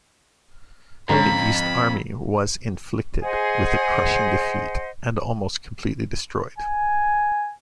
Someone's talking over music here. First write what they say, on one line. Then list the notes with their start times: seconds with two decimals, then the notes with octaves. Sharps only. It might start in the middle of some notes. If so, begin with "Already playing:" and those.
The East Army was inflicted with a crushing defeat and almost completely destroyed.
1.09 F2 G#2 D3 C#4 A#5 B5
3.22 G#4 C5 D#5 F#5
6.58 G#5